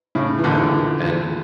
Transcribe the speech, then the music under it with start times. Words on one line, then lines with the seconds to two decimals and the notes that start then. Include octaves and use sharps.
um, and
0.15 A2 C#3
0.39 E3
0.44 A#2 D3